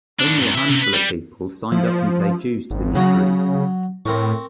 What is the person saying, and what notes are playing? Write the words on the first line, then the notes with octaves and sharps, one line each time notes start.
Only a handful of people signed up and paid dues to the new group.
A2 D4
C2 G#2
B4 E5
C3
B4
G3
F3 E4
G#1
C#3 F#3 F#4 A#5
A2 C4 A#4 C#6